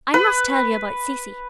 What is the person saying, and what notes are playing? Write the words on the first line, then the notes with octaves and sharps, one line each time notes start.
I must tell you about Cecy.
B4